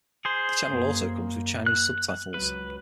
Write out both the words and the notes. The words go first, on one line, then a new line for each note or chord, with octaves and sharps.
The channel also comes with Chinese subtitles.
G#4 C5
F#2 A#3
F#6
C#2 F#3 B4